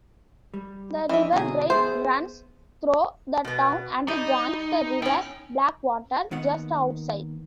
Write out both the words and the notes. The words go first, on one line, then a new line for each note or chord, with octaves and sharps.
The River Brain runs through the town and joins the River Blackwater just outside.
G3
F2 E3 D#5 E5
B2 D3 F#3 G#4
B3 G#4 C5 E5
B2 B3
G3 D#4
A2 C#4 E4 G5
D#2 D#3 B3 F#5